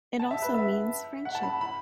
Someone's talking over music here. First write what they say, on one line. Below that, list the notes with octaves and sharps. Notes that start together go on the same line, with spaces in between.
It also means friendship.
A5
E5
B4
E5
F#5
A5
B5
B5